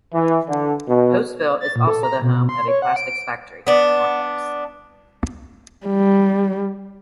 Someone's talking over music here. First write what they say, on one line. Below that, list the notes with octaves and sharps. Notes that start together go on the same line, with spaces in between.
Postville is also the home of a plastics factory, Norplex.
E3
D3
B2
A6
A#2
A4
A#5
B2
B2
C6
C#5
F#5
D7
B3 D4
G3